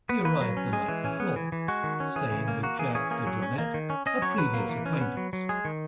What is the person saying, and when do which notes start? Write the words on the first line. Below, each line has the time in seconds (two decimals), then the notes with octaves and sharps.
He arrived the night before, staying with Jack DeJohnette, a previous acquaintance.
0.09 B3 B4
0.25 A#3 B4
0.41 F#3
0.57 C#4
0.73 G#3 G#4
0.88 E3
1.05 C#4
1.20 B3
1.36 E3
1.52 E3
1.68 G#3 F#4
1.84 D#3
2.00 C#4
2.16 E3 G#4
2.31 C#3
2.48 A#3
2.63 A#3 F#4
2.79 E3 G#4
2.95 C#4 G#4
3.11 A#3 G#4
3.27 F#3
3.42 C#4
3.58 A#3
3.74 D#3
3.90 C#4
4.06 C#4 D#5
4.22 F#3 C#5
4.38 F#3 B4
4.54 A#3
4.69 E3
4.86 C#4
5.01 B3
5.17 F#3
5.33 F#3
5.49 G#3 G#4
5.65 D#3